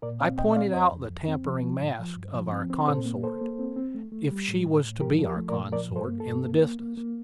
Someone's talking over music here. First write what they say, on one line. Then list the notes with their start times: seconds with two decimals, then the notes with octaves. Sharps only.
I pointed out the tapering masts of our consort--if she was to be our consort--in the distance.
0.02 A#2 A#4 D5
0.20 C4 D5 F5
0.38 A#2 D#5 G5
0.51 D#5
0.56 C4 D5 F5
0.73 F2 C5 D#5
0.91 F2
1.10 F2
1.28 C4
1.45 F3
1.63 F3
1.81 A2
1.99 F3
2.16 G2
2.34 F3
2.52 C4
2.70 C4
2.88 A#2 A4 C5
3.06 A#3
3.23 A#3 A4 C5
3.41 A#3
3.59 C4
3.76 C4
3.95 A3
4.12 A3
4.31 G3
4.48 A2
4.66 A2
4.83 A2
5.01 F3 G4 A#4
5.19 F3
5.25 G4 A#4
5.36 A3
5.49 A#4 D5
5.55 A#2
5.72 F3 A#4 D5
5.90 G2
5.96 A4 C5
6.08 A#3
6.20 A4
6.26 G2
6.44 A#3
6.62 A#3
6.80 A#3
6.97 A#3